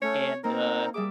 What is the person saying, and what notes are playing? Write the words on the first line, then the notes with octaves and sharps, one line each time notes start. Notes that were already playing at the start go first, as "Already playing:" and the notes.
and, uh,
A3 C#4 C#5
A#3 C4 D#4 A#4 A#5
G3 G#4 E5 D6